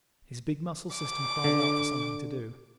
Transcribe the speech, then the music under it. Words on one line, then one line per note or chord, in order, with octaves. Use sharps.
His big muscle system cries out for something to do.
D6
D3